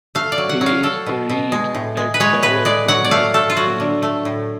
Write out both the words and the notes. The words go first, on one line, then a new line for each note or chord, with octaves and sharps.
He is buried at Parod in the Galilee.
A3 F5
D5
F#3
F#5
F#3
F5
F#3 A4
B2
B2
G#3
A2
G#3
B4
G#3 C#5
A2 B4
G#3 D5
F#3 F#5
D5
A3 F5
A3 A4
F4
F#3 F#4
D3
A3
A2